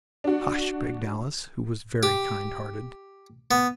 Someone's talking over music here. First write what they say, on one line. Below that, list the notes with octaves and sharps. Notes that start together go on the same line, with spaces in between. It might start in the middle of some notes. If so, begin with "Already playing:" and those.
"Hush!" begged Alice, who was very kind-hearted.
D4 F#4
G4
B3